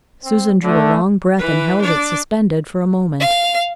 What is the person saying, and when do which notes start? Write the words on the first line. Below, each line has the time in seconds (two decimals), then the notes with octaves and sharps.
Susan drew a long breath and held it suspended for a moment.
0.25 C4
0.63 D3 A3
1.38 E3 B4
1.81 D4 D5
3.20 F5